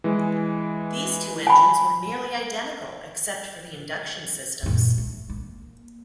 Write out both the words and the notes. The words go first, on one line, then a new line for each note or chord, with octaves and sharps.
These two engines were nearly identical, except for the induction systems.
E3 G#3
G#5 B5
F#2 A#2
A3
A#3